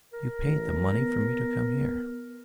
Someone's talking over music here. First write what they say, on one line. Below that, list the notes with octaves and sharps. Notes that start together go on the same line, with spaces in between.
You paid the money for me to come here.
A#4
A1
B3